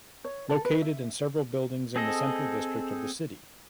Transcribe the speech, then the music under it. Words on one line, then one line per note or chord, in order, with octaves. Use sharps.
Located in several buildings in the central district of the city.
C#5
A4
B4
E5
C4 G#4 A4 D#5